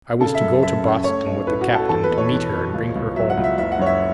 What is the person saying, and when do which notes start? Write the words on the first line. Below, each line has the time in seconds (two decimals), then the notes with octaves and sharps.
I was to go to Boston with the Captain to meet her and bring her home.
0.20 C#3 A4
0.35 E5
0.41 F#2
0.63 F#2 E5
0.84 C#4
1.04 A3 C#5
1.26 B1
1.47 A2 B4
1.61 F#4
1.68 B1
1.75 A4
1.89 E2 A4
2.04 B4
2.11 B2
2.18 C#5
2.32 E2
2.53 B2
2.74 C#2
2.95 C#2
3.16 F#3 E5
3.30 F#5
3.37 C#2
3.44 E5
3.58 F#1 E5
3.72 F#5
3.79 F#2 C#5
3.86 E5